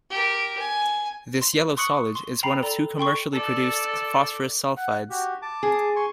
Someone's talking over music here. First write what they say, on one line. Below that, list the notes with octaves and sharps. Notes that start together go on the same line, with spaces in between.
This yellow solid is one of two commercially produced phosphorus sulfides.
G4 A#4
G#5
C6
C6 C#6 D#6 F#6 C#7 F#7
C6
G5 A#5 B5 C7
A4 D5 A#5
A4 G5 C6 C#6
A4 D5
F#5
F#4 G4
A5 D6
G#4
G#5 C6 C#6